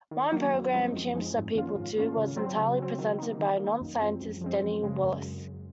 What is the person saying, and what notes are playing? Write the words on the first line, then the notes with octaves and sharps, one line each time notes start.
One programme "Chimps are people too" was entirely presented by a non-scientist, Danny Wallace.
D#3
F#3 A#3
F#2
F3 G#3 C4 D#4
F#2
F3 G#3 C4 D#4
G#2
D#3 A#3 C#4 F4
G#2
D#3 A#3 C#4 F4
C#3
F#3 C4
C#3
F#3 C4
D#3
A#3 D#4
D#3
A#3
D#4
F#2
F3 G#3 C4
F#2
F3 G#3 C4
F#2
C#3 G#3
F#2